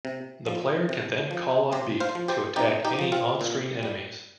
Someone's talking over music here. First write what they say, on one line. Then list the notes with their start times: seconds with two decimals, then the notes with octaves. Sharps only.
The player can then call on Beat to attack any onscreen enemies.
0.05 C3
0.46 F3
0.89 C3
1.31 F3
1.72 C3 G4 C5
2.00 C5 F5
2.15 F3
2.28 G4 C5
2.56 C3 D#4 G4
2.85 D#4 G4
2.99 F3
3.12 C4 F4
3.41 A#2
3.83 G3